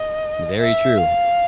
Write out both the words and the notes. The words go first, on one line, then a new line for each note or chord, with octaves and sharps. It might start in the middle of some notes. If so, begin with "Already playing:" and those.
Very true,
Already playing: D#5
E5
F5